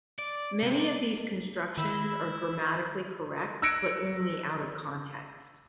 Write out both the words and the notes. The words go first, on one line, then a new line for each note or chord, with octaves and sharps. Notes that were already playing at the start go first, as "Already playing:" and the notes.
Many of these constructions are grammatically correct but only out of context.
D5
C3
D5
D#3 E4 B5 E6
E6 F#6 G#6 A#6 C#7 D7